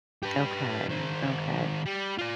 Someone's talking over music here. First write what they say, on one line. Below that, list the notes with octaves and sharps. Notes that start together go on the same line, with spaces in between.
Okay, okay.
G4 B4
D#3 C4
G3
F4 D5